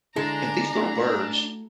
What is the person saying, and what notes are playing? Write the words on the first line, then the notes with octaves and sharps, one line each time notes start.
And these little birds,
D3 G#3 D4 E4 A4 A#5
A3 E4 F#4